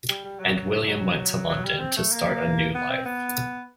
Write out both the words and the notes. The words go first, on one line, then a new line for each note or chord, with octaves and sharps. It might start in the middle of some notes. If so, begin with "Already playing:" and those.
And William went to London, to start a new life.
G3
G3
F#3
F#3
F#3
F#3
G3
C4
A3
A#3
B3
C4
B3